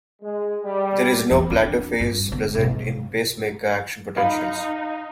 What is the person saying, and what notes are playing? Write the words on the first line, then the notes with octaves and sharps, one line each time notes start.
There is no plateau phase present in pacemaker action potentials.
G#3
G3
E2 C4
C4 D4
G2
D3 B3
B1 G2
D#4 F5 B5